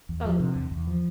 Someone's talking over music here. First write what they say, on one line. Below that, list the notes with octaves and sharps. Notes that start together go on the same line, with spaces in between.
So do I.
E2
F3
C3
E2
E2
F3